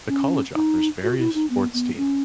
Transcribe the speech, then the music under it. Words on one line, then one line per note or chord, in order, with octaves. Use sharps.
The college offers various sports teams.
C#4
D#4
F#4
E4
D#4
B3
B3
C#4